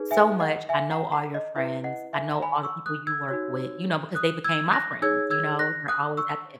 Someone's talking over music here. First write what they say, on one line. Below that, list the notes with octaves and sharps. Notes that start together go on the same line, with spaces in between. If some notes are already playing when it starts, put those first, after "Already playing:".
so much, I know all your friends, I know all the people you work with," you know, because they became my friends, you know, they're always at the event.
Already playing: D#4 G#4 B4
E5 G#5
D#5 F#5
E5 G#5
F#5 A#5
F#5 A#5
D#5
E4 B4 E5
D#5 F#5
E5 G#5
A#5
G#5 B5
C#6 E6
D#6 F#6
E6 G#6
D#4 F#4 C#5
D#6 F#6
E6 G#6
F#6 A#6
D#4 G#4 C#5 E6 G#6
E6 G#6
F#6 A#6
D#6 F#6
C#6 E6